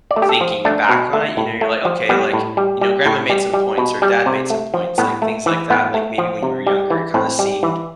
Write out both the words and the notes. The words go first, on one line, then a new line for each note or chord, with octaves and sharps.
thinking back on it, you know, you're like, "Okay, like, you know, grandma made some points or dad made some points," like, things like that, like, maybe when you were younger, it kinda seemed,
D5
A3
G4
A4
F3
A3 D4
B2
A3
A2
A3
F3
G3 B3
A2
G3
G3
A2
G3
G3
B2
G3
C3
A3
F3
A2 B3
A3
E3
A2 B3
A3
F3
C3
G3
E3
A2 C4
G3
E3